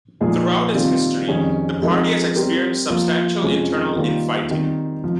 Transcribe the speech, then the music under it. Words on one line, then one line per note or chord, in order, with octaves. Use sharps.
Throughout its history, the party has experienced substantial internal infighting.
A#2 F3 G#3 D#4 G#4
C3 D#3 G3 C4 F4
F2 D#3 G3 C#4 G#4
F3 G#3 C4 D#4 A#4
G3 C4 G4 A#4
F3 A#3 F4
F2 C3 F3 G#3 C#4
D#3 G3 A#3 F4 A#4
D#3 G3 C4
C3 F3